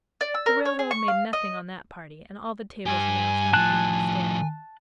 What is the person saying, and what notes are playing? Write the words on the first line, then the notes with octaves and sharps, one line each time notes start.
The railroad made nothing on that party, and all the tables around stopped eating to stare.
D5
E6
A#4
C#5
G#4
C#6
F5
D#5
G2 G4 G#5
A2 F3 A5 F#6